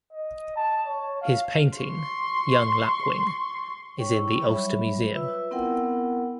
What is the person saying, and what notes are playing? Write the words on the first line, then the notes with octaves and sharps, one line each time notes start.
His painting "Young Lapwing" is in the Ulster Museum.
D#5
A5
C#5
F5
C6 C#6
C#5 G5 C#6
E4 C#6
F#3 G3 C#5 E5 B5
F4 B4 E5 E6
B3 C4 E4 A#4 F#5 G5